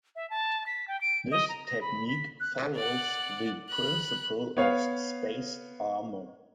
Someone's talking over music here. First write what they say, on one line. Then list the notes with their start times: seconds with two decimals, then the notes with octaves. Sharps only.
This technique follows the principle of spaced armor.
0.16 E5
0.30 A5
0.66 B6
0.88 G5
1.01 D7
1.31 D#5
1.49 A#5
1.66 A#6
1.81 B5
2.09 B6
2.40 F#6
2.76 D5 F#5
3.69 B5 F#6
4.57 B3 C#5 F5